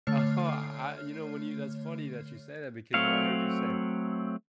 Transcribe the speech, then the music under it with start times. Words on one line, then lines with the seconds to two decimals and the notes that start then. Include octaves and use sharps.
Uh-huh, I You know, when you That's funny that you say that, because when I heard you say
0.07 D3 A3 C#5 F6 C7
2.94 F#3 A3 C4 C#5 F5